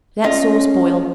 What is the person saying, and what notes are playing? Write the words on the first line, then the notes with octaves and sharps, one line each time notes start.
Let sauce boil.
C#4 F4 D#5